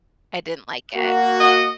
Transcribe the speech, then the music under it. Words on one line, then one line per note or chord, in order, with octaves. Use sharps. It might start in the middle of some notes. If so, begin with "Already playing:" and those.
I didn't like it.
A#3 F#4
D#5